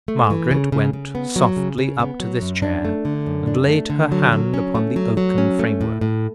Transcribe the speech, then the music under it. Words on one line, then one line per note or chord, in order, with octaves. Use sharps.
Margaret went softly up to this chair, and laid her hand upon the oaken framework.
A3
E3
C#3
C#3
C#3
B3
F#3
C#3
C#3
B3
F#3
F#2
D4
A3
D3
F#2
D4
A3
D3
F#3
F#3
C#4
A3
F#3
F#3
C#4
A3
A2
A2